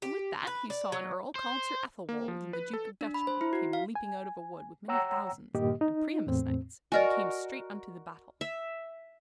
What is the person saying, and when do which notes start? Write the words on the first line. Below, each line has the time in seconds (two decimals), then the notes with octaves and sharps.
And with that he saw an earl called Sir Ethelwold and the duke of Dutchmen, came leaping out of a wood with many thousands, and Priamus' knights, and came straight unto the battle.
0.02 G4
0.47 B4
0.70 D5
0.92 F#3
1.35 C5
2.09 A#3
2.28 F3
2.53 B4
2.73 A4
3.01 D4
3.14 B5
3.27 C5
3.41 E4
3.53 F#4
3.73 F5
3.95 G#5
4.88 C#5 F#5 G5 A#5 E6
5.54 G2 A#2 D#3 A#3 G4 D#5
5.81 D#4
6.27 E2 A2 C4
6.92 F#4 A#4 D5 D#5 G#5
8.41 E5